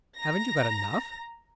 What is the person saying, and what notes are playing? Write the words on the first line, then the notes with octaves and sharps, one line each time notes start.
"Haven't you got enough?"
A#5 A#6